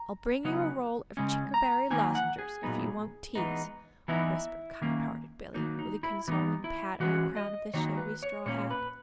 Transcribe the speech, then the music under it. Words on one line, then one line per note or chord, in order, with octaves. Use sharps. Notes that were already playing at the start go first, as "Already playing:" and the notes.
"I'll bring you a roll of chickerberry lozengers, if you won't tease," whispered kind-hearted Billy, with a consoling pat on the crown of the shabby straw hat.
Already playing: A#5
C#3 F#3 B3 D#4
C#3 G#3 C#4
A#5
D#3 A#3 D#4 G#5
F#5
G#4
A#2 F#3 B3 D#4
E3 G#3 B3 D#4
E3 B3 D#4 E4
D#3 A#3 C#4
D#3 F#3 A#3 D#4
D#4
E4
E3 B3 D#4 E4
E4
E3 G#3 C#4 F#4
D#5
D#3 F#3 A#3 D#4 C#5
B4
C#5
A#2 A#3 C#4 C#5
B4